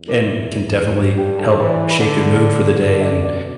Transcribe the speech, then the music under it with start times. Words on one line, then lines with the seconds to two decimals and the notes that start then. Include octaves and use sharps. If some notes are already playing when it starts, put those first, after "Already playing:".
And can definitely help shape your mood for the day and
Already playing: E2
0.08 D4
0.13 E4
1.17 G2 G4
1.39 A4
1.59 E3 B4
1.69 D5
1.90 B4
2.01 D3 D5
2.84 D3
3.01 E5
3.05 D5
3.25 B2 D5